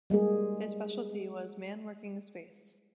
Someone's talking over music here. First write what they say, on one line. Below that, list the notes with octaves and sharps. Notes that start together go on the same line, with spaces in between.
His specialty was "man working in space".
G3 G#3 A#3 G#4